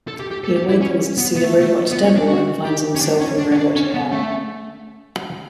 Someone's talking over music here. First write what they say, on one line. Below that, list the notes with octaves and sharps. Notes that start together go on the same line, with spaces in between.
He awakens to see the Robot Devil and finds himself in Robot Hell.
A4
G4
G4
A4
G4
E4
C#4
B3
B3
A3
A3
B3
C#4
D4
F#4
G4
C#4
D4
C#4
D4
C#4
D4
C#4
B3
A3